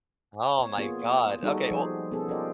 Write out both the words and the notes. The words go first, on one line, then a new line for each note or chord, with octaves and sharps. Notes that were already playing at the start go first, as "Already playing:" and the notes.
Oh my God. Okay, well eh,
B3 C#5
A#3 B3 F4 G#4
G3 D#4 F#4 G#4 A4
F3 D#4 G#4 C5
B3 C#4 G#4 A4
F4 G4 A#4 C5 D5 D#5